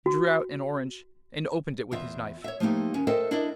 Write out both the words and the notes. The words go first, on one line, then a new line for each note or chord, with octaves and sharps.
He drew out an orange and opened it with his knife.
F#4
E2 F4 E5
C#5 E5
F3 A3 A#3 D#4 G4
D#2 C#4
A4 A#4 C5 D#5 E5 G5
D4 E4 A#4 D5 D#5